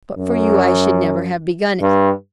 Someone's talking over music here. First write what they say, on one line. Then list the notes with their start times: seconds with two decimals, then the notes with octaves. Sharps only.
But for you I should never have begun it.
0.18 F#2
1.81 G2